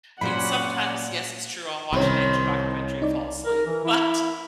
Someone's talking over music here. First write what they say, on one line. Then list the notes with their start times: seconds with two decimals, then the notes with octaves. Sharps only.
I mean, sometimes, yes, it's true I'll watch a nature documentary and fall asleep, but
0.21 A#2 F#3 C#4 C5 D5 F#5 B5
1.93 C2 D#3 C4 C#4 C5 B5
3.02 D#4 D5
3.46 A#4
3.66 E3
3.85 E4